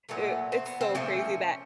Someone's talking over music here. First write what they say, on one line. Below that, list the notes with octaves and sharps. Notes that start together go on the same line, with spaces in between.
it it's so crazy that,
A#2 F#3 A3 B3
C4
B3
C4
A#2 F3 A3 C#4